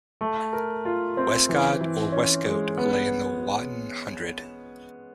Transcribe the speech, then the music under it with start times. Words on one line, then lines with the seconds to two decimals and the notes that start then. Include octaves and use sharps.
Westcott or Westcote lay in the Wotton Hundred.
0.21 A3
0.53 A#4
0.85 F4
1.17 C4
1.49 E3
1.81 E3
2.12 C#4
2.45 G#3
2.78 B3